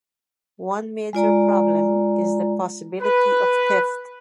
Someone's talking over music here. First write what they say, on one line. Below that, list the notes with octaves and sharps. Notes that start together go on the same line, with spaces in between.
One major problem is the possibility of theft.
G#3 F4 D5 A#5
B4